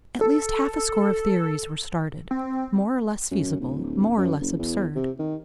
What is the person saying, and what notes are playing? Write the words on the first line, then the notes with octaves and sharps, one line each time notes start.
At least half a score of theories were started--more or less feasible-- more or less absurd.
A4
C4
F#2
D1
F#2
F#1
E2
C3
D#3